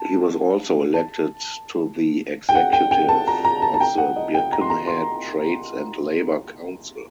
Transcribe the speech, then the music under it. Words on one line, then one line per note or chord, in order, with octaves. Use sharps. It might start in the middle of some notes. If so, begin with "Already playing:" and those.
He was also elected to the executive of the Birkenhead Trades and Labour Council.
Already playing: A5
A5
G5
F#5
G5
G5
A5
A#5
A#5
A5
A5
G5
F#5
D#5
G5
A#5
C6
A#5
C6